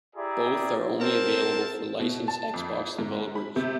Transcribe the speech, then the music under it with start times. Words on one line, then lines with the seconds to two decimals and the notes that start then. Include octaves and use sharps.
Both are only available for licensed Xbox developers.
0.16 E4 G4 G#4 D5 E5 A#5
1.01 C4 A#4 A5
2.00 B2
2.28 A5
2.54 F2
2.99 G#2
3.35 B5
3.56 C3